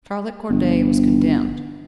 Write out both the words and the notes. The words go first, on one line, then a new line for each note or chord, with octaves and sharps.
Charlotte Corday was condemned.
G1